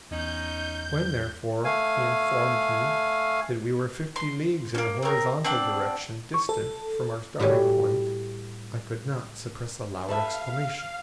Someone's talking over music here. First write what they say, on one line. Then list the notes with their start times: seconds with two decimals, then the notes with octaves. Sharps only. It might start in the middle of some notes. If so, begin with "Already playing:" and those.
When, therefore, he informed me that we were fifty leagues in a horizontal direction distant from our starting point, I could not suppress a loud exclamation.
0.11 E2 C#4 D#4 G6
1.64 A3 F5 G#5
4.16 C6
4.75 A#3 C#4
5.02 C4 A#4
5.44 C4 D4 F#5 D6
6.34 C#6
6.49 A4
7.39 A2 G3 F#4 G4 G#5
10.09 A4 B4 E5 F5